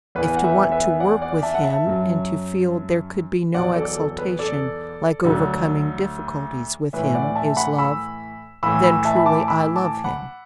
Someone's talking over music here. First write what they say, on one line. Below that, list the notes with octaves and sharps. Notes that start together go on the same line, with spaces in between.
If to want to work with him, and to feel there could be no exultation like overcoming difficulties with him, is love, then truly I love him.
E2 E3 B4
F#5
B4 E5
B4 E5
D5 F#5
D5 F#5
E5 A5
F#5
E5 A5
F#2 F#3
E2 B2 F#3 D5 F#5
A4 D5
A4
B4
A4 D5
D2 D3 F#3
A2 E3 B4 E5
D5 F#5
E5 A5
F#5 B5
B5 E6
A2 E3 B5 E6
B5 E6
E5 A5
B5
A5 D6
B5 E6
A5 D6
F#5 B5